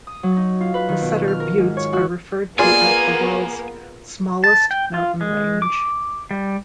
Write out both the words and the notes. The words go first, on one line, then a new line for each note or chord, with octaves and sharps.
The Sutter Buttes are referred to as the world's smallest mountain range.
D#6
F#3
D#4
F4
B4
D#3
B2
F6
A#4
G#2
C#5
F#4
A#3 B3 F4 G#4 D5 G#5
A5
G5
F4
G#3
D6
G3